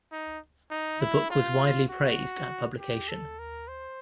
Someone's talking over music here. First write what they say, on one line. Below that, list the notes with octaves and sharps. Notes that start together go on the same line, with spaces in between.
The book was widely praised at publication.
D#4
D#4
E4
F4
F#4
G4
A4
A#4
C5